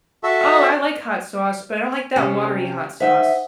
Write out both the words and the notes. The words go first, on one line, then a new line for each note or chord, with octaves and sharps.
Oh, I like hot sauce, but I don't like that watery hot sauce.
F#4 A4 E5
C3 C#4 G#5
D#4 C5 E5 F#5